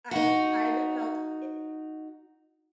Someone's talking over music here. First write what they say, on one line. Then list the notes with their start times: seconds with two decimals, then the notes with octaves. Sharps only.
I've I've felt, i
0.11 D#4 F#4